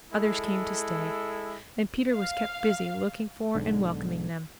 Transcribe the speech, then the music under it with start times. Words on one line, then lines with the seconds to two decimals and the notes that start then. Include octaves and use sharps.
Others came to stay, and Peter was kept busy looking for and welcoming them.
0.12 G#3 E4 A4
2.13 F5
3.55 B1 G#2 D3